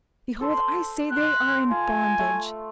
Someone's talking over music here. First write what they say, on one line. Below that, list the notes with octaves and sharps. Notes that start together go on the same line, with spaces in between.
Behold, I say they are in bondage.
A4 C5 C6
G5 C6 F#6
F4 G#5
A3